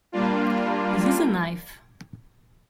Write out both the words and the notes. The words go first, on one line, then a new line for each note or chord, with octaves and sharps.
This is a knife!
G3 A#3 D4 F4